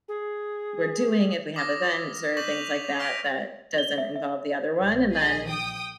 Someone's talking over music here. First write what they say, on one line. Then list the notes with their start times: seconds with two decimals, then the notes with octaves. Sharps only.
we're doing if we have events or things like that that doesn't involve the other one, and then
0.08 G#4
1.56 D6 D#6 F6 A#6
2.37 C#6 D6 G6 A#6 B6 F#7
2.52 F7
2.99 C#6 F6 A#6 B6 D7 F7
3.78 G7
3.98 E5
4.16 E5
4.81 A#1
5.12 G#4 D#5
5.47 G5 D#6